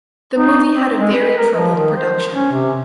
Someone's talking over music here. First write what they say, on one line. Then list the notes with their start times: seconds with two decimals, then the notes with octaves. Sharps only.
The movie had a very troubled production.
0.36 D#4
0.73 C4
0.99 G#3
1.13 B4
1.38 A#4
1.55 F3
1.75 D#3
1.97 C5
2.33 C#4
2.52 C3